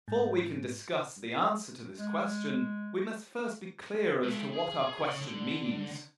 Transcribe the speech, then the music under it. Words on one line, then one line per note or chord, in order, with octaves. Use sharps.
Before we can discuss the answer to this question, we must first be clear as to what our question means.
G#2
G#3
G#3 A4
G#4
C#3 C#5
D3